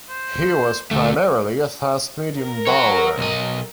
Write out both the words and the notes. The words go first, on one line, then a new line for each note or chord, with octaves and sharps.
He was primarily a fast-medium bowler.
C5
D2 A3
A#4
C#5 F#5
B1 D#5